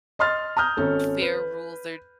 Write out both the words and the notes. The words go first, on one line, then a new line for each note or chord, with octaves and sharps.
fair rules, or
D#5 C6 F6 A6
A#5 D#6 F6 G6
G#1 C#4 A4
B4